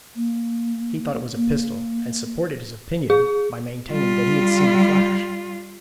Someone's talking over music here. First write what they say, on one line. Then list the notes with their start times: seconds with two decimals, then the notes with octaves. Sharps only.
He thought it was a pistol, and supported his opinion by maintaining that he had seen the flash.
0.16 A#3
1.36 A#3
3.10 G#4
3.90 G3 F4